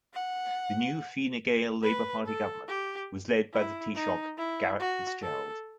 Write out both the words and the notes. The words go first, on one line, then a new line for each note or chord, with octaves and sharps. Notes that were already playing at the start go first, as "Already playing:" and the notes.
The new Fine Gael-Labour Party government was led by the Taoiseach Garret FitzGerald.
F#5
B4
A4
G4
E4
D#4
E4
F#4
A4